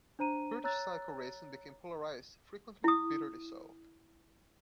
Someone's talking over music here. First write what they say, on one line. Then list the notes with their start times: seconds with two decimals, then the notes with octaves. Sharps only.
British cycle racing became polarised, frequently bitterly so.
0.19 D4 C5 A#5 D#7
0.64 C#5 A#5 E6 F#6 A6
2.84 E4 D#6